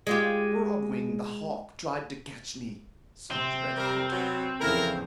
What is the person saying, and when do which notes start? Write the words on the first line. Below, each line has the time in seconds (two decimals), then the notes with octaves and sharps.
"Broadwing the Hawk tried to catch me," sobbed Redcoat.
0.07 G#3 F4 G4
3.31 C3 C4
3.76 G3 A#4
4.11 B2 F#3
4.59 E2 C#3 F3 E4 A4 A#4